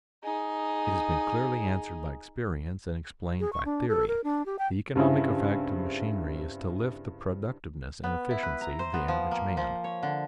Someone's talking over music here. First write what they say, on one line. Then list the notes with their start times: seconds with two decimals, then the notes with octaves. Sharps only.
It has been clearly answered by experience and explained by theory: the economic effect of machinery is to lift the productiveness and efficiency of the average man.
0.24 D#4 G#4
3.40 G#4
3.53 C#6
3.65 D4
3.88 A4
4.08 A#4
4.24 D4
4.46 G4
4.59 G5
4.95 G2 C#3 C4 E4
8.04 B3
8.30 E4
8.43 B4
8.61 A#5
8.79 C5
8.94 B3
9.08 F3
9.31 A#3
9.57 F3
9.84 C#5
10.03 D3